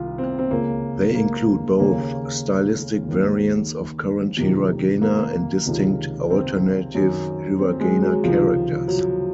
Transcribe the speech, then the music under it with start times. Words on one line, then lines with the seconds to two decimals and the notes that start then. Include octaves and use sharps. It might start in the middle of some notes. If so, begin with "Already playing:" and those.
They include both stylistic variants of current hiragana and distinct alternative hiragana characters.
Already playing: C2 C3 D#3 F4
0.18 C4
0.39 C4
0.50 C#2 C#3 A#3
1.15 A#3
1.79 D#2 C#3 A#3
3.08 D#2 D#3
4.37 F2 C3 D#3
5.02 A#3
5.66 C#2 C3 D#3
6.30 C4
6.95 F#2 D#3
7.59 C4
7.80 G#3
8.02 F#3
8.24 C#2 C3 D#3 F3
8.88 F#3